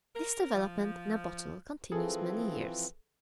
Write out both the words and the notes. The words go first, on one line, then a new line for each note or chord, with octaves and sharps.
This development in a bottle continues many years.
A#4
F3
E3 F3 C4 G#4 A4